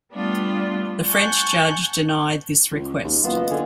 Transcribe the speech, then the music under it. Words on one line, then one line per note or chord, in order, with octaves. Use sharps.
The French judge denied this request.
G3 A3 B3 D4 F4
F#5 G#5 A5 C#6 F#6 G6
C#2
D#2
F#1 B3 F4 E6
D#5
D3 G#4 D#5